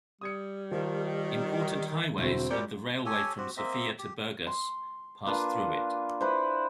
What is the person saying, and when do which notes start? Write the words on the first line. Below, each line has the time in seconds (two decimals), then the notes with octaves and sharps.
Important highways and the railway from Sofia to Burgas pass through it.
0.21 G3 D#6 G#6 C#7
0.71 D#3 F3
2.18 E1 G2 D3 C4 E4 F#4
2.50 A#2 F#3 G3 A#4 D5 G6 C#7
3.06 G4 A4 C#5 G#5
3.38 C4 F#4 G4
3.57 A#3 C4 D#5 E5
3.98 G4
4.47 C6
5.26 A#3 D4 F4 B4
6.21 E4 B4 C5